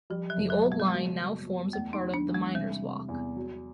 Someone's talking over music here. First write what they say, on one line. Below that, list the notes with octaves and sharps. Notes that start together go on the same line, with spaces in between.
The old line now forms part of the Miners Walk.
F3 G3
F#3
F#1
F#3
B2
G#3
G3
F#3 G#3
F#3
F#3
E2 A3
D#4
E2
D4
E3
G#3
C3 G3
C3
E2
F#3